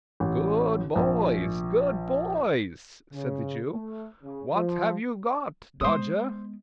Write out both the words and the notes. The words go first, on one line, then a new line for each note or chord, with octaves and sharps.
'Good boys, good boys!' said the Jew. 'What have you got, Dodger?'
A1
A#1
C#3
A3
C#3
F3
G#3 B3 C5 D#6